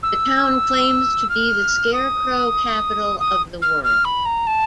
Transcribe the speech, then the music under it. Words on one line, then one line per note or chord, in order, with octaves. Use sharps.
The town claims to be the Scarecrow capital of the World.
E6
F6
D#6
D#6
F6
F6
B5
A#5
A5